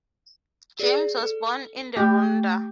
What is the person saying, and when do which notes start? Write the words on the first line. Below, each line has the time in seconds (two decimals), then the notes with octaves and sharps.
James was born in the Rhondda.
0.79 G#4 D5
1.18 A4
1.97 A3 G4